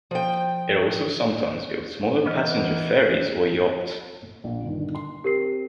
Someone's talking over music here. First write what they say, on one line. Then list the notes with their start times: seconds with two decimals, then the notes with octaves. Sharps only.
It also sometimes builds smaller passenger ferries or yachts.
0.11 F3 G5
2.26 E3 B3 A#4 D#5 F6
4.44 A#1
4.62 G1 G2 D#3
4.95 C6
5.24 C4 G4 A#4 C7